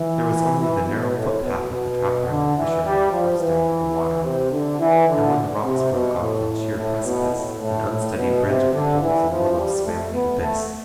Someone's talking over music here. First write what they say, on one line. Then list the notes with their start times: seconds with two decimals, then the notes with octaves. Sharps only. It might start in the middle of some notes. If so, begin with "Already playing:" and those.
There was only the narrow footpath of the trapper and the fisherman close down to the water; and when the rocks broke off in sheer precipice, an unsteady bridge of poles and willows spanned the abyss.
Already playing: E3
0.58 E3
0.86 B2
1.15 A2
1.43 B2
1.70 B2
2.27 D3
2.55 E3
2.83 G3
3.10 F3
3.39 E3
4.24 C3
4.52 D3
4.79 E3
5.07 D3
5.63 C3
5.92 B2
6.20 A2
6.76 A2
7.05 B2
7.32 A2
7.60 A2
7.89 A2
8.16 B2
8.45 C3
8.73 D3
9.01 E3
9.29 F3
9.57 G3
9.84 A3
10.12 B3
10.41 A3